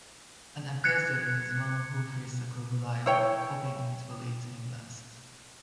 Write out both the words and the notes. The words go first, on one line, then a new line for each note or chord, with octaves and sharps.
An appeaser is one who feeds a crocodile – hoping it will eat him last.
F#6 G#6 C#7
E4 C#5 G5